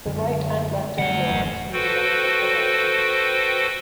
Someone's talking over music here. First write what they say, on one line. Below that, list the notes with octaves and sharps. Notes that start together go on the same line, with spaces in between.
The right and left ailerons move in opposite directions.
F#2 D3 G#3
F#2 D3 G3 A3 F#5
D#1 E2
F#4 A4 B4 C5 G5